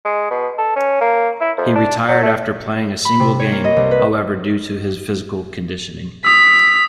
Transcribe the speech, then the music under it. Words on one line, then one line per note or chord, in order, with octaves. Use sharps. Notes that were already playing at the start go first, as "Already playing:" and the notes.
He retired after playing a single game however due to his physical conditioning.
G#3
B2
A4
C#4
A#3
E4
F2
D4
F#3
A3
B5
C3
C#5
A#3
D#5
C2
B4
D#6 E6 B6